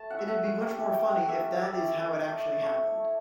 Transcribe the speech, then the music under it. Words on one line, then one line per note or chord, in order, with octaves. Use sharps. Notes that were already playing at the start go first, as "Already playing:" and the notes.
It'd be much more funny if that is how it actually happened.
Already playing: A3 A5
C#4 E4 F#5
E5
A3 F#5
C#4 E4
G3
C#4 E4
G3 G5
C#4 E4 F#5
G3 E5
C#4 E4
G3 D5
C#4 E4
A3
E4
A3 D5
E4
A3 C#5
E4
A3